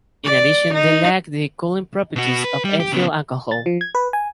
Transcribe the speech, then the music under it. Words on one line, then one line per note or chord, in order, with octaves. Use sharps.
In addition they lacked the cooling properties of ethyl alcohol.
D5
D#4
B2 F#4
B4
G3
G4
C#3 B3
A6
F3
G#6
B4
G#5